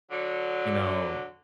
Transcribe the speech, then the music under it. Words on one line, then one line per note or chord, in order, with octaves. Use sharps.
you know
D3 F#3